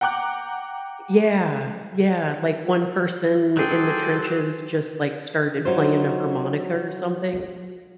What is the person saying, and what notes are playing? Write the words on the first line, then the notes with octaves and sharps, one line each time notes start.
Yeah. Yeah, like, one person in the trenches just, like, started playing a harmonica or something,
F#5 G5 A#5 D6 F#6
F#3 G#4 A4 C5 G5 D6
F#3 D#4 F4 C5